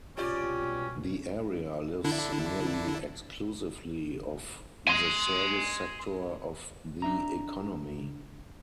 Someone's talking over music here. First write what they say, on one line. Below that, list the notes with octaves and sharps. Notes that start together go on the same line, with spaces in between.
The area lives nearly exclusively off the service sector of the economy.
C2 G#2 B2 C#4 F4 G4 D5
D3 D4 E4
G#5 C6
D4 E5 A#5